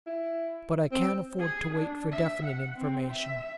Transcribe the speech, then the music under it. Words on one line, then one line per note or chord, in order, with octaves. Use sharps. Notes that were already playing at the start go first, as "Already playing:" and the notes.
But I can afford to wait for definite information.
E4
C4
G#4
D4
E5
F#5
C4
E5